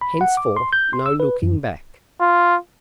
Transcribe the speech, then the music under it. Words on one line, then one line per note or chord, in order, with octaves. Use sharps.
Henceforth no looking back.
B5
F#5
D6
C6
G6
C6
E6
B4
F#2
F4